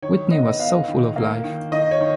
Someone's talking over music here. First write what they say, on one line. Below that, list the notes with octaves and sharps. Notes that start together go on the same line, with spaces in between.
Whitney was so full of life.
D#3 C#5
B3 D#5
B3 F5
D#3
A#3
D#3
D#3 D#5
C#5
D#3